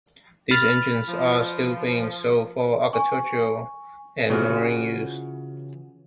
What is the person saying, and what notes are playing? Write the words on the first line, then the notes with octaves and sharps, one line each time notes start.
These engines are still being sold for agricultural and marine use.
B5 F6 A6
F3
G#5 C#6
C#3 E3 F4 F#4 C5